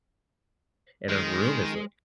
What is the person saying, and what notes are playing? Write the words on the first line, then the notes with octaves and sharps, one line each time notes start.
and her room is a
D#3 G#3